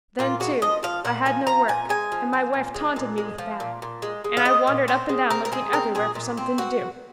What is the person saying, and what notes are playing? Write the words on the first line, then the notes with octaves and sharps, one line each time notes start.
Then too, I had no work, and my wife taunted me with that, and I wandered up and down looking everywhere for something to do.
A#2 F4
G#3 F#4
F3 D#5
F3 F5
A#2 F#5
F3 G#5
F3 A#5
A#2 G#5
G#3 G#5
F3
F3
A#2
G#3
A#2
G#3
F3
A#2
A#2
G#3
G#3
F5
C4 D#5
A#2
C4 C5
G#3
C4 A#4
A#4
G#3 G#4
C4 A#4
A#2 G#4
A#2
C4
F#4